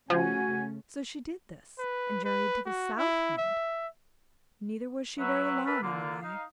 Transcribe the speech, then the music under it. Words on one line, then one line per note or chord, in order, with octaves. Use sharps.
So she did this, and journeyed to the South Wind, neither was she very long on the way.
C#3 F3 A3 C#4 F#4 G#5
B4
B4
F#4
E4
E5
F#3 B4 E5
A#4 B4 E5 F#5 A5 B5
D3 A#3 F4
D#4 F5